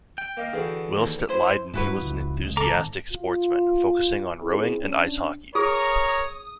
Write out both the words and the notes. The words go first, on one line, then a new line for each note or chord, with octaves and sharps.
Whilst at Leiden he was an enthusiastic sportsman, focusing on rowing and ice hockey.
G5
A#3 D#5 F5
D3 E3 F#4 G#4
D#2
E4 C5
G2 E4 F#4 B4
C#2 F3
C#2 C#3 G#3
A4 A#5 D6
G#1 G#2
F4
C4 E4 G#4
C#4 D4
G#4 A#4 C#5 D#6